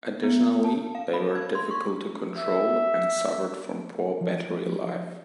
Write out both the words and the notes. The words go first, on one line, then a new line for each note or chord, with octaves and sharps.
Additionally, they were difficult to control and suffered from poor battery life.
B3
A5
F5
B5
G#6
C6
C#6
E5
F3